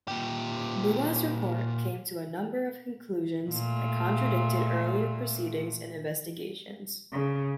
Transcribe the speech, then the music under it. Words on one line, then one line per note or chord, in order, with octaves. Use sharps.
Bua's report came to a number of conclusions that contradicted earlier proceedings and investigations.
A#2 G4
A#2 A3
C#3